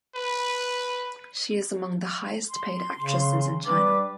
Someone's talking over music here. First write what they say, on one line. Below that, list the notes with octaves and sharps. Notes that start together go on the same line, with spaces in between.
She is among the highest paid actresses in China.
B4
C6
C#3
G3 D4 B4 D6